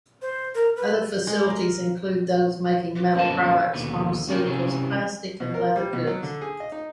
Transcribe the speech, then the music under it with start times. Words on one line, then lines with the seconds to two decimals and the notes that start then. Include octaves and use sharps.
Other facilities include those making metal products, pharmaceuticals, plastic and leather goods.
0.22 C5
0.55 A#4
0.76 B4
1.27 G#3
1.50 A#4
3.15 F#2 A#2 D3 B3 D#5 A5
3.74 D#2 B2 D3 B3
4.28 D#2 C#4 D4 A#4 G5
4.45 C3 E3 F#3 G3 C#4 G#4
5.40 B2
5.54 A#4
5.76 G3
5.93 B2
6.07 F#3
6.23 D3
6.41 G#4
6.60 D#5
6.72 D#4